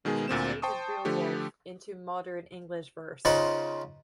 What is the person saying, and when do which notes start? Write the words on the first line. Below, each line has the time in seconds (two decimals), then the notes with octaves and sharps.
He translated "Beowulf" into modern English verse.
0.05 B2 D#3 G#3 B3 G#4
0.28 D2 A#2 C4 E7
0.62 C5 G5 A5 C6 C#6 D#6
1.05 D3 F3 A3 G4
3.25 C#3 D#4 F4 C5 F#5